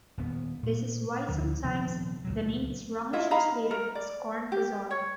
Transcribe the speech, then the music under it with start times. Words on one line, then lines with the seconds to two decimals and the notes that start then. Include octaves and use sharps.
This is why sometimes the name is wrongly translated as "Corn Bazaar".
0.18 D#1 B3
0.63 A#2
1.28 D2 D3 F3
1.64 D#1 C3 F3 B3
2.25 C#2 A#2 F#3
3.13 E4 F4 D#5 E5
3.31 D#5 F5 A#5 B5
3.71 A#4
3.95 D5
4.52 G4
4.91 C#5